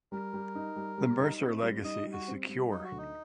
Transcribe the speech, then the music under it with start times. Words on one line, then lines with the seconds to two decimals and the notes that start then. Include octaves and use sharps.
The Mercer legacy is secure.
0.12 G3 A#4
0.34 G3
0.55 D#4
0.76 G3
0.98 G3
1.19 D#4
1.41 C4
1.63 G3
1.84 D#4 D#5
2.06 G3
2.13 F#4
2.28 C4
2.49 G3
2.71 F#3 D#4
2.84 F#4
2.92 D2
2.98 D#4